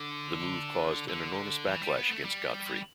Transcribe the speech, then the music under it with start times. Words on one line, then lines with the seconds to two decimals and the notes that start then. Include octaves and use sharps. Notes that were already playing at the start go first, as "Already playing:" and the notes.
The move caused an enormous backlash against Godfrey.
Already playing: D3
1.09 D3
1.67 E3
1.81 G3
1.96 B3
2.11 A3
2.25 G3